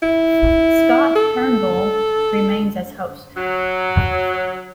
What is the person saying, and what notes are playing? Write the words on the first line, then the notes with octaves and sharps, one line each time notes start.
Scott Turnbull remains as host.
E4
A4
F#3